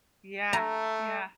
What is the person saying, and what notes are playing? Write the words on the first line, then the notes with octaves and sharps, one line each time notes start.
Yeah, yeah.
A3 A#5